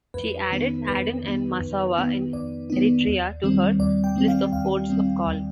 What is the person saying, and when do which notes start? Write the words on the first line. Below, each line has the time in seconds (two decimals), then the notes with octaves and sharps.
She added Aden and Massawa in Eritrea to her list of ports of call.
0.14 F2 B4
0.51 D#3 B3 D#4
0.87 F2 B4
1.24 D#3 B3 D#4
1.60 F2
1.98 D#3 B3 D#4
2.33 F2 D5
2.70 D#3 B3 D#4
3.06 D#2
3.43 D#3 G3 C4
3.79 D#2 D5
4.04 G5
4.15 D#3 G3 C4
4.28 F5
4.53 D#2 F5
4.89 D#3 G3 C4
5.26 D#2